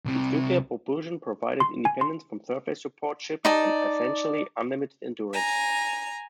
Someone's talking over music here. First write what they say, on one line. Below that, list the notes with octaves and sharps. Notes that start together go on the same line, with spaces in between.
Its nuclear propulsion provided independence from surface support ships and essentially unlimited endurance.
C2 C3
C6
G#5
C6
D#4 D5 A5
G#5 A#5